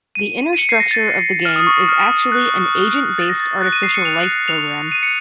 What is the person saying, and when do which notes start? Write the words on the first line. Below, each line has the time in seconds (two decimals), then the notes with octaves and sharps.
The inner structure of the game is actually an agent-based artificial life program.
0.15 D#7
0.53 D#7
0.59 C#7
0.69 C7
0.80 A#6
0.91 A6
1.45 F6
1.56 D#6
1.67 C#6
1.89 F6
2.32 F#6
3.18 A6
3.29 A#6
3.40 A6
3.51 A6
3.62 F#6
3.72 D#7
3.83 C7
3.94 C#7
4.05 F7
4.48 F7
4.92 D#7
5.03 C#7